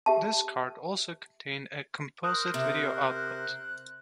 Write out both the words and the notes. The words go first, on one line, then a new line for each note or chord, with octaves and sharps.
This card also contained a composite video output.
G4 E5 A5
A#4 C5 D#6 F#6
C3